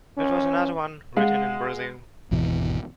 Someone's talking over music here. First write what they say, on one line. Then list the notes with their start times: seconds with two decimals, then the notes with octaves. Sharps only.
That was another one written in Brazil.
0.18 C#4
1.17 G#3 F5 F#5
2.31 G#1 E2 B2 E3